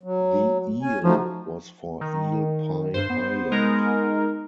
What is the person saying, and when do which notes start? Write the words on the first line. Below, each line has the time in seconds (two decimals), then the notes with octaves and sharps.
The eel was for Eel Pie Island.
0.03 F#3
0.82 C#4 G#5
1.04 F3 A3 D#4 F#4
2.01 D#3
2.94 G2 C5
3.10 B3
3.51 G#3 D#4 A#4